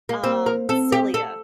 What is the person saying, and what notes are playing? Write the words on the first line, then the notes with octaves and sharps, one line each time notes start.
um, Xillia.
A#3
A#3 C4
A#4
C4 A4
G4
A4